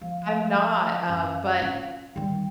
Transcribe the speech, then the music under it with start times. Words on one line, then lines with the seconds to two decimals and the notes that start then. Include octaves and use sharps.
I'm not, um, but, eh,
0.01 F3 F5
1.09 F#2
1.61 C#4 F4
2.16 D#3 G3 G5